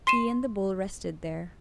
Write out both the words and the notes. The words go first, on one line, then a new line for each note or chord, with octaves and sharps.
He and the bull rested there.
C6 C7 D#7 E7